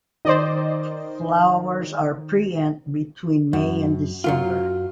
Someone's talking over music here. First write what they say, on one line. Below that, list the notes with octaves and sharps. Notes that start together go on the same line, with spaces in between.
Flowers are preent between May and December.
D#3 C5 D5 D#5
F#2
F#2 F#3 F4